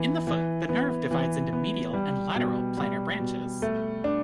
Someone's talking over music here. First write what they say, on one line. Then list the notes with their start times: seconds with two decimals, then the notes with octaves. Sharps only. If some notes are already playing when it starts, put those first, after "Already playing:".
In the foot, the nerve divides into medial and lateral plantar branches.
Already playing: E3 B3
0.27 E3
0.69 B3
1.11 E3
1.53 B3
1.94 G3
2.35 B2
2.77 G3
3.19 B2
3.62 A3
4.04 D4